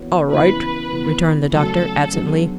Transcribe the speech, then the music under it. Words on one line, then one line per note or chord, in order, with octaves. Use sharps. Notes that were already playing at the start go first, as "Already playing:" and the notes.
"All right," returned the Doctor, absently.
Already playing: E3 B3 F#4 C#5
C#3 E3 B3 E4 B4
C#3 E3 B3
D2 C#3 F#3 C#4 F#4 A4
F#3 B3 D4 G#4